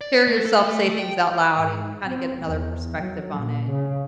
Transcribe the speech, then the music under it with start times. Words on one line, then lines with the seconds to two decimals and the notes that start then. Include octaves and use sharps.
hear yourself say things out loud and kinda get another perspective on it.
0.01 D5
0.27 A3
0.46 A4
0.67 A3
0.99 G5
1.55 G#2
2.07 C4
2.44 E2
2.97 F#3
3.35 A#2
3.67 C#3